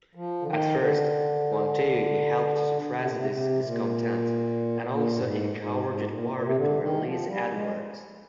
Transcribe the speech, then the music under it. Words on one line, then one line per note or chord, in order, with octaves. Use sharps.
At first, Montagu helped suppress this discontent, and also encouraged Warwick to release Edward.
F3
D3
D#3
D3
C3
A#2
C3
C3
A#2
A#2
G2
G#2
G#2
G#2
A#2
A#2
C3
D3
D#3
F3
G3
G#3